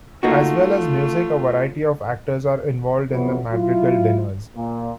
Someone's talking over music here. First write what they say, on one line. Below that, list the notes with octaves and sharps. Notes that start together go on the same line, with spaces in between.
As well as music, a variety of actors are involved in the madrigal dinners.
A3 A#3 D#4 F4 F#4
F2 C3 E3 F#3 B3
F#3 E4 F4
A#2